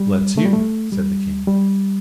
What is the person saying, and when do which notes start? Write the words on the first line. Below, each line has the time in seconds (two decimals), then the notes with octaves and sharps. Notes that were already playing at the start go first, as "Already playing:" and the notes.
"Let's hear," said the king.
Already playing: G3
0.38 A3
0.45 G3
0.53 A3
0.92 G3
1.47 G3